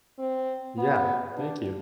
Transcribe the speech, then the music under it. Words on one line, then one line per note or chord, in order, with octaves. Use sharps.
Yeah, thank you.
C4
B3
D4